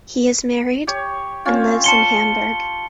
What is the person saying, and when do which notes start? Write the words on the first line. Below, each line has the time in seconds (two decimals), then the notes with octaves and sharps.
He is married and lives in Hamburg.
0.87 G4 C#5
1.45 C4 C#4 F4
1.84 A5 C6 C#6 C#7 G7